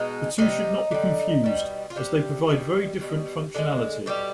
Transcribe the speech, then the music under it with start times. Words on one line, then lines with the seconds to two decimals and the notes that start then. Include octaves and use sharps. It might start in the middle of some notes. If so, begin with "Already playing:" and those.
The two should not be confused as they provide very different functionality.
Already playing: B2 G#3 D#4
0.38 C3 G3 D#4
0.91 D3 G3
1.44 B2 G3
1.90 F4
1.96 C3 D#3 G3 G4
2.48 B2 G3
3.01 B2 G3
3.55 D3 F3 G#3
4.06 B2 G3 G4